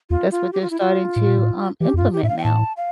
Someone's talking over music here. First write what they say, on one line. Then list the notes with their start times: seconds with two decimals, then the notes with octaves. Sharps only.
That's what they're starting to, um, implement now.
0.10 E2 F4
0.31 F4
0.53 G4
0.62 F4
0.70 E4
0.80 F4
1.16 A2
1.28 A#2
1.38 A2
1.80 E3 G4
1.94 F2 F4
2.02 G2
2.13 G4
2.23 A2 E5
2.29 F5
2.38 G5
2.44 A2 A5
2.77 F5